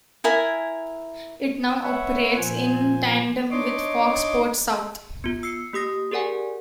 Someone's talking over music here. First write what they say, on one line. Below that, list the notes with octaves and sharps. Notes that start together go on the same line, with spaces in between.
It now operates in tandem with Fox Sports South.
E4 A#4 G#5
B4 C#5 E5 F#5
A#2 F3 C5 G#5
D4 D#4 C#5 D#5 C6 D6
B3 F4
E6 C7 C#7
A#3 G4 D#6 A#6
G4 G#4 A#4 D5 F#5 G#5